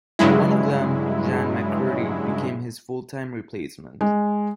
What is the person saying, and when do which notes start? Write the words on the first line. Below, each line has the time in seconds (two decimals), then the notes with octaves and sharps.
One of them, Xan McCurdy, became his full-time replacement.
0.19 G2 C#3 F#3 G#3 E4
4.01 G#3